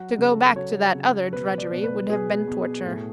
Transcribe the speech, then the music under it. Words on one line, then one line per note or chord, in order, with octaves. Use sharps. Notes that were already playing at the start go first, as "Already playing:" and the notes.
To go back to that other drudgery would have been torture.
Already playing: F#3 F#4
C#3
A4
F#3 C#5
C#3
B2 B4
D5
B2
B4
B2 G#4
B2
A2